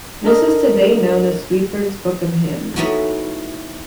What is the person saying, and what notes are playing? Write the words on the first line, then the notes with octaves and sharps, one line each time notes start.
This is today known as Swedberg's Book of Hymns.
D4 A4 A#4 D#5
A3 B3 C#4 D#4 E4 F#4